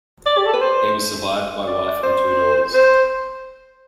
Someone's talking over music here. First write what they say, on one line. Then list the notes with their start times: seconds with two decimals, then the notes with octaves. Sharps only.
He was survived by wife and two daughters.
0.26 D5
0.38 G4
0.46 A4
0.53 B4
0.61 C5
1.67 D5
2.03 C5
2.74 C5